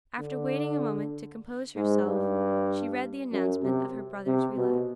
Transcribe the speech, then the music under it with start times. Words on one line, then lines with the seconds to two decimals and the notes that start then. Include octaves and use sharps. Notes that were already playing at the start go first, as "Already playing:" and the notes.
After waiting a moment to compose herself, she read the announcement of her brother's relapse.
0.19 D3
1.76 G#2
2.07 G2
3.32 F#2
3.63 C3
4.26 C3
4.57 B2